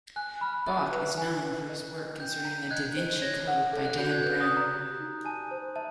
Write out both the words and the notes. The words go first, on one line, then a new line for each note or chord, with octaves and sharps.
Bock is known for his work concerning "The Da Vinci Code" by Dan Brown.
G#5 F#6
B5 F6
E5 F#6
B4
G#5
B4
D#5
B4
G5 G6
A#5
D#5 F#6 G#6
C5
C#5 G#6 A#6
F#5
A4
F#6
F#4 G6
F#6 G#6
B4 G6
D#6
D5
A#5
G4
D#4
G#5 A5
C5
E5 A5